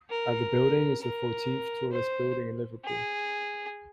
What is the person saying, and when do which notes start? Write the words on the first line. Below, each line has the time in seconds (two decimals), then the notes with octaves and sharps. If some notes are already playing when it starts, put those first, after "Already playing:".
At the building is the fourteenth tallest building in Liverpool.
0.10 A#4
1.01 A#4
1.92 C5
2.84 G#4